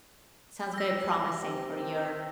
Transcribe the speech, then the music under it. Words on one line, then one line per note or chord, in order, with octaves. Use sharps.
sounds very promising for your
E6 A#6
C3 G4